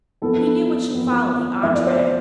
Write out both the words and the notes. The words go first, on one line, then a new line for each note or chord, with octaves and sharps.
He knew what should follow the entree.
F2 E3 B3 A4
F2 E3 B3
F2 E3 B3 E5
D5
C5
D5